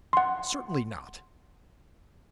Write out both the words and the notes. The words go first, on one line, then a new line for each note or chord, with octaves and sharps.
'Certainly not.
F#5 C6